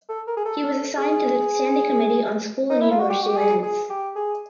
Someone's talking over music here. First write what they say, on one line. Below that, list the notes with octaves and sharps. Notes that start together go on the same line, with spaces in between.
He was assigned to the standing committee on school and university lands.
A4
A#4
G#4
A4
G#4
D#4
E4
F4
F#4
G4
F#4
G4
G#4
G#4
G4
G#4